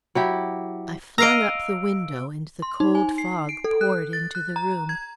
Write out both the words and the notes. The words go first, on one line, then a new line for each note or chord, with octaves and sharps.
I flung up the window and the cold fog poured into the room.
F#3 E4 G4
D#5 F5 A#5 E6 D7
C6
D#4
G#5
C7
D7
A4
F#6
A6
F#6
A#5
G#6